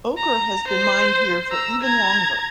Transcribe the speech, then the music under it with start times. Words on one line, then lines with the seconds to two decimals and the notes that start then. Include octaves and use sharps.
Ochre has been mined here for even longer.
0.17 A#5
0.68 C5
1.50 A#5 E6
1.82 A#5 G#6